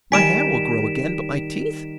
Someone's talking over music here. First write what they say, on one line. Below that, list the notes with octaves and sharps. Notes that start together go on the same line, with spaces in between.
My hair will grow again, but my teeth!
D#3 G3 G#5 B6 D7 E7